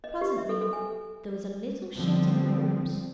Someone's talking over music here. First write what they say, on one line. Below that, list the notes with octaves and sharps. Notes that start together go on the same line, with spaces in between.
Presently there was a little shifting of groups.
D#5
G4
E5
A4
A4
G#5
D3 F3 G3 B3 C4